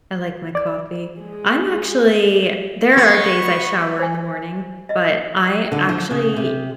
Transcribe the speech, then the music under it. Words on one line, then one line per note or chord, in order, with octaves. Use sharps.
I like my coffee. I'm actually there are days I shower in the morning, but I actually
D5
G#3 G#4
B3 C#6
C5 G#5
D#5 E5
D3
F3
C#3
C3